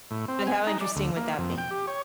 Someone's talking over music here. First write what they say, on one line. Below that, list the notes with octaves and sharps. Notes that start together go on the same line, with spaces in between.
But how interesting would that be?
A2
C4
G#5
D#4
D5
D2
A#3
F2
G5
G4
C#5